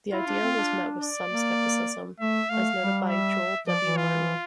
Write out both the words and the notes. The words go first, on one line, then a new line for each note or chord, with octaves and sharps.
This idea has met with some skepticism, as noted by Joel W. Martin.
E4 F4
D4
C4
D4
D5
A#3
A3 E5
A3 F5
G3
E5
F3 D5
E3
F4